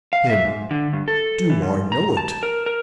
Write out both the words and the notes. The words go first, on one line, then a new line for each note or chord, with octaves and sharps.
HIM: Do I know it?
F5
E5
G#2
D3
G2
A4
E3
G#2
A#5
A5
A#4
A#4